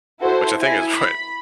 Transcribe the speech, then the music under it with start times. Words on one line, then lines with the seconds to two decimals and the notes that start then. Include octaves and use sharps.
Which I think is what
0.19 E4 F#4 A4 C5
0.60 E4 G#5
0.93 B5